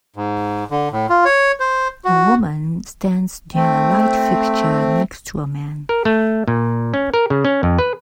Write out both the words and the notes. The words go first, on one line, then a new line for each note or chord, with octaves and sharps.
A woman stands near a light fixture next to a man.
G#2
D3
A2
F4
C#5
C5
F#4
A3 C4
A#4
A3
A#2
C#4
A#4
C#3
C#4
F2
B4